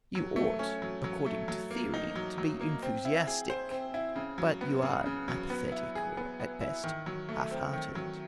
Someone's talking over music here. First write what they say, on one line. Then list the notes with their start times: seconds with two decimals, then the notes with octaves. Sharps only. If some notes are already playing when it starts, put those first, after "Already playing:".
You ought, according to theory, to be enthusiastic; but you are apathetic, or, at best, half-hearted.
0.15 F#3
0.36 A3
0.59 C#4
0.82 F#3
1.04 F#3
1.26 A3
1.48 F#3
1.71 A#3
1.94 D#4
2.16 F#3
2.38 F#3
2.61 A#3
2.83 C4
3.05 E4
3.27 G#4
3.50 C5
3.71 C4
3.94 E4
4.16 C#3
4.38 F#3
4.61 B3
4.83 C#3
5.06 C#3
5.28 F#3
5.50 B3
5.72 E4
5.95 G#4
6.17 B3
6.40 B3
6.61 E4
6.84 D#3
7.06 F#3
7.29 A3
7.51 C4
7.73 D#3
7.95 F#3